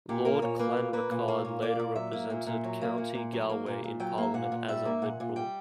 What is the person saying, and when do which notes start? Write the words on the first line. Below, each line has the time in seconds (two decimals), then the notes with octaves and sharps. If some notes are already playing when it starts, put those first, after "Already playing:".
Lord Clanricarde later represented County Galway in Parliament as a Liberal.
0.09 A#2 G4
0.25 A#3 A#4
0.42 A#2 C#5
0.59 A#3 B4
0.77 A#2
0.93 A#3 B4
1.11 A#2
1.28 A#3 C#5
1.45 A#2
1.62 A#3 D5
1.79 A#2
1.95 F#3 E5
2.13 A#3
2.30 A#2
2.46 A#2
2.64 F#3
2.81 A#3
2.98 A#2
3.15 A#2
3.33 F#3
3.50 A#3
3.66 A#2
3.84 A#2
4.00 F#3 G5
4.18 A#3
4.23 E5
4.34 A#2 F#5
4.52 A#2
4.68 G3 E5
4.85 A#3
5.02 A#2 F#5
5.20 A#2
5.36 G3 G5